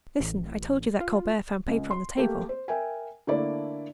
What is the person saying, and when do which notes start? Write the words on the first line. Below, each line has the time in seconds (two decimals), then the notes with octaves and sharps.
"Listen; I told you that Colbert found paper on the table."
0.20 A1
1.00 F4
1.67 C#2
1.91 C6
2.17 A3 A#3 G4
2.49 C5
2.68 A#4 E5 G5 G#5
3.27 D3 A3 A#3 E4 D5